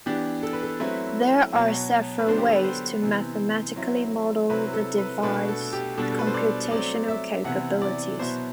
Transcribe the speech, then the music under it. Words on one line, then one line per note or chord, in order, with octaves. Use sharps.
There are several ways to mathematically model the device's computational capabilities.
E3 B3 D4 G4
A4
B4
A4
F#3 A3 C4 E4 B4
B2 F#3 B3
B4
D3 F#3 B3 D4 C5
G4
A4
B4
C5
C3 E3 B3
F#3 C4 E4
C3 F#3 C4 E4 B4
A4
B4
B2 A3 D4 B4
A4
G4
B2 G3 B3 D4 A4
A4
B4
C5
D5
F#3 A3 C4 D5
E5
C3 E3 B3 E4 F#5
D5
B2 F#3 B3 E4 C5